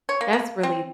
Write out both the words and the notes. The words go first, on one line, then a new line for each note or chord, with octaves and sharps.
That's really
C#5
A#3
A#3
C4